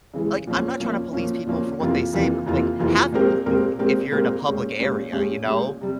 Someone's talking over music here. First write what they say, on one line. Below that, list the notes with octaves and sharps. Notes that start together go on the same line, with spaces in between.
like, I'm not trying to police people for what they say, but like, have decency if you're in a public area, you know.
C#3 E3 G#3
A#2 F3 A#3 C#4
A#2 F3 A#3 C#4
A#2 F3 A#3 C#4
A#2 F3 A#3 C#4
F2 C3 E3 A#3 F4
F2 C3 E3 A#3 F4
F2 C3 E3 A#3 F4
F2 C3 E3 A#3 F4
A#2 G#3 C4 G4 A#4
A#2 G#3 C4 G4 A#4
A#2 G#3 C4 G4 A#4
A#2 G#3 C4 G4 A#4
A#2 G#3 C#4 G4
A#2 G#3 C#4 G4
A#2 G#3 C#4 G4
A#2 G#3 C#4 G4
C3 G3